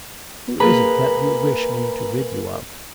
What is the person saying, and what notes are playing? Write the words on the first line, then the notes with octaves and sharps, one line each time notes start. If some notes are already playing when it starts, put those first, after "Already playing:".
Who is it that you wish me to rid you of?'
A#3 G#4 B4 A#5 B5